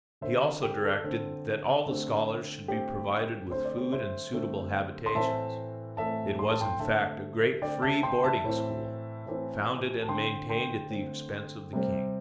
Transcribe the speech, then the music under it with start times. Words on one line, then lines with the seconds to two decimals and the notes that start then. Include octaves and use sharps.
He also directed that all the scholars should be provided with food and suitable habitations: it was in fact a great free boarding-school, founded and maintained at the expense of the king.
0.21 D3 C4 C5 E5
0.63 G4
0.84 A4
1.04 D3 C4
1.86 D3 A3 C4
2.68 D3 A3 C4 G4
3.50 D3 A3 C4 C5
3.65 D5
3.77 G4 C5
3.92 C5 E5
4.33 D3 A3 C4
5.06 C6
5.15 A2 E3 A3 C4 E5 A5
5.97 A2 E3 A3 C4 E5 A5
6.39 C6
6.50 A5
6.61 G5 C6
6.79 D3 A3 C4 E5 A5
7.62 D3 A3 C4 D5 G5
7.82 E5 A5
8.03 G5 C6
8.23 E5 A5
8.44 A2 E3 C4
9.26 A2 E3 C4
10.03 A5
10.08 D3 A3 C4 G5 C6
10.49 G5 C6
10.91 D3 A3 C4
11.73 C3 G3 C4